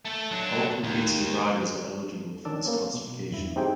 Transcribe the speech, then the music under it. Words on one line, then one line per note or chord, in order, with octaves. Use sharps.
All competing riders are eligible for this classification.
A3 A4
F#3 D4
D#2
D#3 C#4 D4 A5 D6 E6
A#3 B3 C#4
B2
E2 G2 E4
C4 D#4 E4 G4 G#4 G5